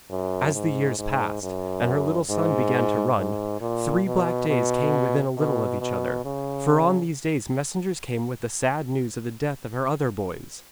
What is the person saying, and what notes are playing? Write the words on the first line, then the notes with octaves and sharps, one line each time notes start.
As the years passed, and her little son began to run, three black days came within a little of each other, for on these days messengers came with the sad news of the death of her other boys.
F#2
G#2
G#2
F#2
G#2
G#2
A#2
B2
B2
B2
B2
C#3